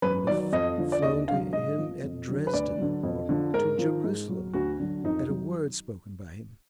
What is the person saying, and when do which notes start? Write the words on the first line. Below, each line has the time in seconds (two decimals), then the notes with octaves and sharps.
She would have flown to him at Dresden, or to Jerusalem, at a word spoken by him.
0.02 F#2 B4
0.27 D#3 F#3 D5
0.53 F2 D#5
0.78 D3 F3
0.92 D5
1.02 D#2 D#5
1.28 D3 F#3 F5
1.53 G#2 D#5
1.78 F3
2.04 F2
2.28 D3 F#3
2.47 B4
2.53 D2 D5
2.78 D3 F#3
3.03 F2
3.29 D3 F3
3.54 G#2 A#4
3.79 F3
4.04 G#2
4.29 F#3
4.54 D2 F#4
4.80 D3 F#3
5.04 F2 D#4
5.30 D#3 F#3